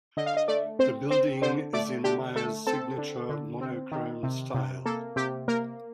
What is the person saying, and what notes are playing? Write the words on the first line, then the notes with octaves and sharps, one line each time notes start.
The building is in Meier's signature monochrome style.
D3 D#5
F5
D#5
A3 D5
C4 C5
C4 C5
D3 C5
A3 D5
D3 G4
A3 A4
C4 A4
D3
D3
C4
D#3
C3
C3
A#3 A4
C3 G4
A#3 A#4